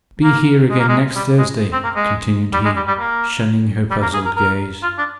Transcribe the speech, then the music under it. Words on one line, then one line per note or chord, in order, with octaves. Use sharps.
'And be here again next Thursday,' continued he, shunning her puzzled gaze.
A#3
G#3
A#3
G#3
G3
G#3
C4
A#3
G#3
G3
G#3
G3
G3
A#3
G3
A#3
G#4
A#4
A#4
F4
D4